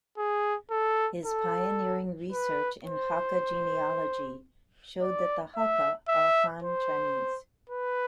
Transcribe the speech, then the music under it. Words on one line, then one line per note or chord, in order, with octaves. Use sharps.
His pioneering research in Hakka genealogy showed that the Hakka are Han Chinese.
G#4
A4
A4
B4
C5
D5
E5
E5
C5
B4